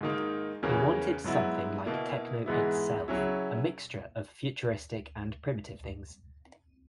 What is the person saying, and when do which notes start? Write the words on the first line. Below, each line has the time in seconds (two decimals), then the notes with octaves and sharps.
He wanted something like techno itself, a mixture of futuristic and primitive things.
0.01 G#2 D#3 A#3 D#4
0.63 E2 C#3 E3 A#3 C#4
1.24 G#2 F#3 B3 E4
1.86 B2 A#3 E4
2.46 G#2 E3 G#3 B3 E4
3.08 C#3 F#3 C#4 E4